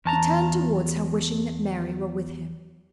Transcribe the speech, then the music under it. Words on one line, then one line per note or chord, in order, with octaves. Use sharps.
He turned towards her, wishing that Mary were with him.
E2 A5 A#5